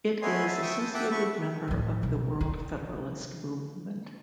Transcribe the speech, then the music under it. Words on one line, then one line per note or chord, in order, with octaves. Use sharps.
It is associated member of the World Federalist Movement.
A3 B3 C#5 D#5 G#5 C6
E5 A5
E5 G5 C#6 D#6
A5
E5 F#5 G5 A5 D6
A3 B5 C#6
A2 F3
B1
D3